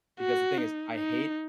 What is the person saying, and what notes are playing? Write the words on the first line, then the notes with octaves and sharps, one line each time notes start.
because the thing is, I hate
F#4
D#4
D#4